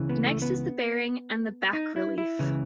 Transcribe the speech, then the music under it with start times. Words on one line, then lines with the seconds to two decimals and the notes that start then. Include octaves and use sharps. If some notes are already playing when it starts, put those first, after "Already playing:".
Next is the bearing and the back relief.
Already playing: C#2 C#3 E3
0.09 B3
0.26 A3
0.42 B3
1.73 D#4
1.96 E4
2.18 E4
2.39 C#2 C#3 E3